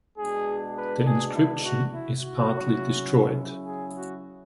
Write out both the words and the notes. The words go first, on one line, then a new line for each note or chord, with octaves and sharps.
The inscription is partly destroyed.
B2 G#3 D4 G#4
B4
G#4
E4
F#4
E4
F#4
C#3 F#3 C#4 E4
G#4
F#4